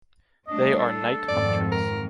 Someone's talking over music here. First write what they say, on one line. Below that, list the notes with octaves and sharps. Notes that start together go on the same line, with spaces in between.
They are night hunters.
G3 A3 D4 D#5
A4
F2 G#2 D#3 D5
A#4